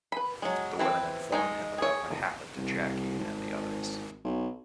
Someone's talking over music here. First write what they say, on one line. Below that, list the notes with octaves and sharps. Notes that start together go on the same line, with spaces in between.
The women inform him about what happened to Jackie and the others.
B4 B5
F#3 G#3
E3 C4 B4
G#3 D#4 G#5
G#4 C#5
C2
G#1
B1